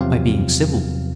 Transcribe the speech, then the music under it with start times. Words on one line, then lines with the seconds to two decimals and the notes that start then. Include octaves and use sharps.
By being civil.
0.01 E2 C3 F3 F#3 C4 F5